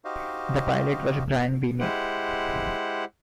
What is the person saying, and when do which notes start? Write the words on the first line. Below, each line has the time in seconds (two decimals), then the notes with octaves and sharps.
The pilot was Brian Binnie.
0.05 D#4 F#4 G4 C5 D#5 F5
1.80 G#3 E4 G4 C5 F#5